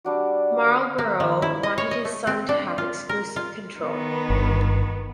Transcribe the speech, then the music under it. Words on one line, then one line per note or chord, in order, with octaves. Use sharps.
Marlborough wanted his son to have exclusive control.
G3 D4 F#4
A#3
D#3
E4
D#5
C#5
D#5
A3
C4
D4
F4
A#4
F4
D#3 B3
G1